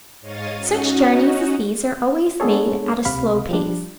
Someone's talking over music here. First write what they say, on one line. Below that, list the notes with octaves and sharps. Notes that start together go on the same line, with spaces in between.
Such journeys as these are always made at a slow pace.
G#2 C#5 D#5 F5 D#6 A6
C#4 D#4 F#4
G#3 B3 D4 G#4 A4 C#5
C#2 C3 F5 B5
F3 G3 D4